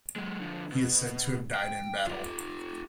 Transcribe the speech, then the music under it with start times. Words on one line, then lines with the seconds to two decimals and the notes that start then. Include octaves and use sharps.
He is said to have died in battle.
0.16 F#3 G#3
0.40 D3 F3
0.72 B2
1.54 G5
2.07 F4 G4